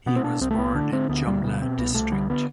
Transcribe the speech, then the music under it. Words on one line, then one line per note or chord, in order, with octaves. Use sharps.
He was born in Jumla district.
B2 B3
C4
B2 D4
C2 C4
A3
C2 B3
D3 D4
D3 C4
D2 B3
D2 G3
B2 G3
B2 C4
C2 B3
C2 A3
D3 G3
D3 B3